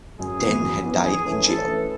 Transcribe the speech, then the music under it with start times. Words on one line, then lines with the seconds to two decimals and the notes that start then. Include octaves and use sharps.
Ten had died in jail.
0.19 F#2 G#4
0.39 E3
0.45 B3
0.61 F#2
0.82 E3 B3
1.04 E3 G#4
1.25 A3 C#4 E4 B4
1.46 E3 A4
1.67 A3 C#4 E4 B4